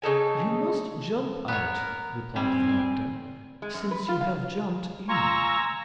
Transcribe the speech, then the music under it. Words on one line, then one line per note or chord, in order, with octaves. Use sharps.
"You must jump out," replied the doctor, "since you have jumped in."
C#3 D#4 A4 G#5
B3 A#4 C#5
G3 C4 G#5
G#3
F#2
B4
F4
F5
F4 G#5 A#5 C#6 E6 A#6